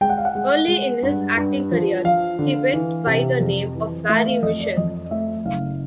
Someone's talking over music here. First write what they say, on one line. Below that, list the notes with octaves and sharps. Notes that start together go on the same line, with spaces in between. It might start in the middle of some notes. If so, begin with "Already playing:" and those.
Early in his acting career, he went by the name of Barry Mitchell.
G#3 G5
F#5
F5
F#5
G#3
G#3
G2
G2
F3
F3 F5
D3
E3
C3
F2
E3
A3 E5
F5
F2 D#5
D5
F2 D#5
A3 E5
F#1 F5